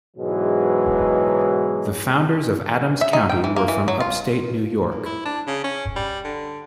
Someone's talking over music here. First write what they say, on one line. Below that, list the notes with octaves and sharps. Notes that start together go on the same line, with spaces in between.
The founders of Adams County were from upstate New York.
G#2 B2 E3 F#3 G#3
E5
D#4
G5
E3
A#3
E3
F#3
F4
D#2
E4
D4
C#3
C#4
G3
D3